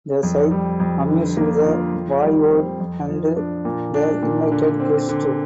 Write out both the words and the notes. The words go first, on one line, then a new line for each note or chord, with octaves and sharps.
This sight amused the voivode and the invited guests.
F2
G3
F2
D3
A#3
F4
F2
G3
C4
F2
F3
D4
A#2
D4
A#2
D3
C4
D3